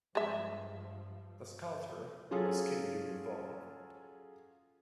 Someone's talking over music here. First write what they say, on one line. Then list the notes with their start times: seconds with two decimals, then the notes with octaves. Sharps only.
The sculptor was Kim Young-won.
0.15 G2 F3 G#3 E5
2.31 F#3 C#4 F4 G#4 A4